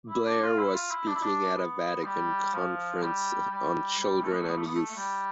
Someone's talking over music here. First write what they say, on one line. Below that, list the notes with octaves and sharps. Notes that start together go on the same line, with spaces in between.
Blair was speaking at a Vatican conference on children and youth.
E4
D4
F4
E4
F4
E4
D4
E4
D4
B3
G3
F3
G3
G3
G3
A3
B3
A3
B3
A3
B3
A3
A3
G3